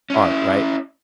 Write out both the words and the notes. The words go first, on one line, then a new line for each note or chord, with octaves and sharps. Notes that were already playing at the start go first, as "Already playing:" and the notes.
art, right?
C#4 E4